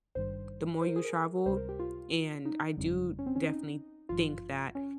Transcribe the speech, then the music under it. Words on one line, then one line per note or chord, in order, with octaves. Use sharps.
the more you travel, and I do definitely think that
G#1 G2 D#3 G3 C5
C5
A#4
G#4
A#4
C#2 C3 G3 C5
A#4
G4
F4
D#4
G1 F2 C#3 G3
C#4
C4
C#4
D#4
G#1 G2 F3 F4
C#4